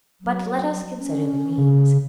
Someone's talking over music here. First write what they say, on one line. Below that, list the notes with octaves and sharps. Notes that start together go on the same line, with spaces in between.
But let us consider the means.
F#3
C#4
C#3